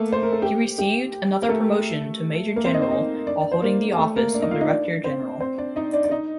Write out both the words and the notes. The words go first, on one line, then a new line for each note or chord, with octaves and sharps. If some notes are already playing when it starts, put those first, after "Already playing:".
He received another promotion to major general while holding the office of director general.
Already playing: A3 A#3 A4
C5
A#4
A4
G4
G4
A#4
A3 A4
A#3 A#4
C4 C5
D#4 D#5
C4 C5
D#4 D#5
D4 D5
D5
C5
A#3 A#4
G4
A3 A4
A#3 A#4
D4 D5
D#4 D#5
F4 F5
D#4 D#5
D4 D5
C4 C5
C4 C5
D4 D5
D#4 D#5
D4 D5
D5
D#4 D#5